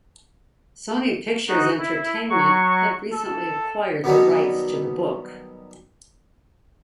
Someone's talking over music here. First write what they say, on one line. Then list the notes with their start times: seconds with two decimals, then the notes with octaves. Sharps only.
Sony Pictures Entertainment had recently acquired the rights to the book.
1.48 D#4 F#4
1.78 E4
2.30 F#3 C#6
3.13 A4
4.04 B2 D#3 F#3 G3